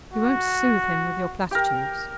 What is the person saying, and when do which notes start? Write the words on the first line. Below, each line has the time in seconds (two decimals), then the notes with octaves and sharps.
"You won't soothe him with your platitudes."
0.13 F#4
1.51 G4 A#4